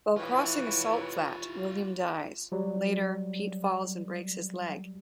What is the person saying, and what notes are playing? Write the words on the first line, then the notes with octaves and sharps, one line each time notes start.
While crossing a salt flat, William dies; later, Pete falls and breaks his leg.
E3 E4 F4 G4 C#5
F#3 G3